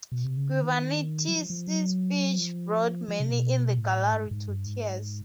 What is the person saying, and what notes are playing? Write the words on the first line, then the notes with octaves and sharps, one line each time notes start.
Giovannitti's speech brought many in the gallery to tears.
B2
C3
C#3
D3
D#3
F#3
F3
F3
F#3
F3
F3
C3
B2
A2
G#2
G#2
G2
G#2